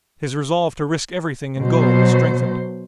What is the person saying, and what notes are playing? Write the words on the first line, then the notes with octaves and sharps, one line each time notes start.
His resolve to risk everything and go was strengthened.
B2 F#3 C5